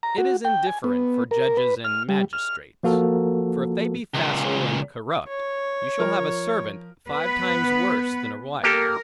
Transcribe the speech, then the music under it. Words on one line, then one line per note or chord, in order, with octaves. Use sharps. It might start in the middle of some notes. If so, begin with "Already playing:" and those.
It is indifferent for judges and magistrates; for if they be facile and corrupt, you shall have a servant, five times worse than a wife.
A#5
F#4
G5
G#5
B3
A#4
B4
F6
G3
F6
F3 A#3 F#4 A4 A#4
C#2 A#2
C#5
F3 A#4 F6
B3 B4
A#3 G4 A4 A#4